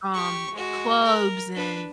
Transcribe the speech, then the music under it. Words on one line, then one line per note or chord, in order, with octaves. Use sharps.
Um, clubs and,
G4 C#6
G#3 F#4
A#4
D4 B4